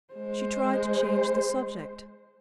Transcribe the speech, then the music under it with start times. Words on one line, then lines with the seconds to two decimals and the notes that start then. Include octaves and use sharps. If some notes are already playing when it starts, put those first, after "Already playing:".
She tried to change the subject.
0.14 G#3 C5